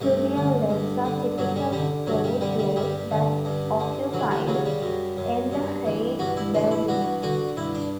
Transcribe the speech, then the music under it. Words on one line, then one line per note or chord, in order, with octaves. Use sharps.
Pluvial lakes are typically closed lakes that occupied endorheic basins.
G2 A3
D3
G2
D3
G2 F#3
G3
D3 G3
G2 F#3
G3
D3 G3
G3
G2 G3
D3
G2
D3
E3 F#3
G3
C#3 F#3
G3
F#2
F#2
G2
E3
G2 F#4
E4
E3 D4
E4
G2 F#4
D3 F#4
G2 E4
D4